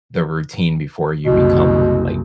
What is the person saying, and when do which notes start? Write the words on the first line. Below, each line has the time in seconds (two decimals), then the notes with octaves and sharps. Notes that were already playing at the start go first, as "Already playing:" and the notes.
the routine before you become, like,
1.26 F#1 C2 B2